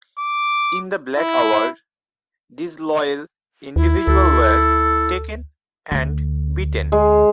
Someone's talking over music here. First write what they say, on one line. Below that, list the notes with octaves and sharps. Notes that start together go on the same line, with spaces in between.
In the "black house" disloyal individuals were taken and beaten.
D6
E4
D#2 E4
D2 A4
D2
G#3